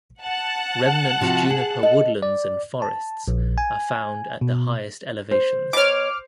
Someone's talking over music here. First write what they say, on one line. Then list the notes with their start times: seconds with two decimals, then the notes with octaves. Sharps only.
Remnant Juniper woodlands and forests are found at the highest elevations.
0.23 F#5 A5 F#6
1.21 C3 F3 F#4
1.50 G#4
1.83 A4 D#5
2.22 D5
2.82 A5
3.28 A#1
3.58 G#5
4.41 B2
5.31 C5
5.73 B2 C#5 D6 F6